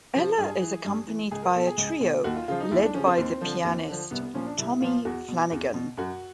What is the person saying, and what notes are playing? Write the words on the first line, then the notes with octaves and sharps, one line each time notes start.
Ella is accompanied by a trio led by the pianist Tommy Flanagan.
C3 F3
G2 G#4
E3
G2
E3
C#2 G#4
A#4
B2 A4
G#4
C#2
B2
D#2 F#4
F4
C#3 F3 F4
D#4
D#2 E4
D4
C#3 F3 C#4
C4
D#2
D3 F3
D#2
D3 F3
C2 B3
B3
A#2 F3 C#4
D4
C2 E4
A#2 F3 F4
E2 F#4
B2
E2
B2
F#2 F#4